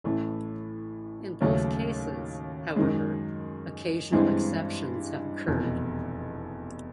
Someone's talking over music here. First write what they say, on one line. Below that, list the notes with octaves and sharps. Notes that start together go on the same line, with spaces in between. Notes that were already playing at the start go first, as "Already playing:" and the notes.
In both cases, however, occasional exceptions have occurred.
A1 A2 E3 A3
D#2 C#3 F#3 A3 C#4
F#2 D#3 G#3
G2 E3 G#3 C4
F1 E2 B2